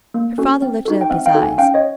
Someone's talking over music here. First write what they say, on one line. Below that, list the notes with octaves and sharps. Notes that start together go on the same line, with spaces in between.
Her father lifted up his eyes.
A#3
C#4 F#4 A4
C4
D#4 F#4 A4
G5
C4 E5 F#5
F5 G5
D#4 F#4 A4
F#5 G#5
C#4 F5 G5
C#5 D#5